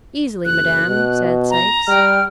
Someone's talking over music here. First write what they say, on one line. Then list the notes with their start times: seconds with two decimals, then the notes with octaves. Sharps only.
"Easily, madam," said Sikes.
0.45 F#1 F#6
0.86 B2
1.50 A#5
1.88 G3 G5 F6